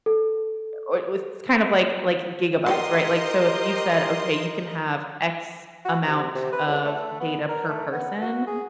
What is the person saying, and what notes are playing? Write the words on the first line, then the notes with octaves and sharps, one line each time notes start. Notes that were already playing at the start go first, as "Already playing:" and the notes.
Or it was kind of like like gigabytes, right? Like, so if you said, okay, you can have X amount of data per person,
A4
F#4 G4 A#4 D5 D#5 G5 C6 G6
F#4
C3
C3
B4
C#2
A3
B3
A#4
A3
B3
F#4
G#4